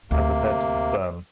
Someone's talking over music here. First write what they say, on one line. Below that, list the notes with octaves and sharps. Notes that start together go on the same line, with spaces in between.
I prepared to be firm.
D2 C3 A#3